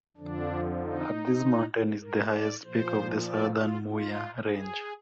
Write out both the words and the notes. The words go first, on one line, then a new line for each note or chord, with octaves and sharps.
At this mountain is the highest peak of the Southern Muya Range.
F2 D3 F3 D4
D#4
A#4
D5
A#2 F3 C5
D5
F4
F4
G#4